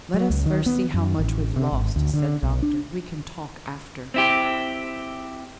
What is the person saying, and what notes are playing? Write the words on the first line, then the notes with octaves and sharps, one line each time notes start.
"Let us first see how much we've lost," said the doctor; "we can talk after."
F#3
C#2
D#3
B3
F#2
A1
C3
G#1
D2
D3
B1
D4
C4 E4 G4